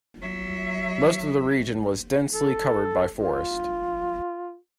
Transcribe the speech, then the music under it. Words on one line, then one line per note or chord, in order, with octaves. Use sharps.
Most of the region was densely covered by forest.
F#3 E5
A4
F4